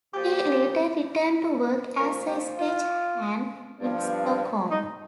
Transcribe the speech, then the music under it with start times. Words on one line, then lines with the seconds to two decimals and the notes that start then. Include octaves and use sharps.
He later returned to work as a stagehand in Stockholm.
0.14 A#2 F3 G4
1.97 A#2 F3 A#4
2.27 G4
2.57 F4
3.80 G2 F3
4.70 D#4